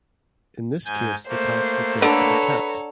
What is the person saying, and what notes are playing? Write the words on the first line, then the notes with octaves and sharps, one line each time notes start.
In this case the tax is said to be capped.
G#2 G#5 G6
A3 A#3 C5
D3 A4 B4 C#5 A#5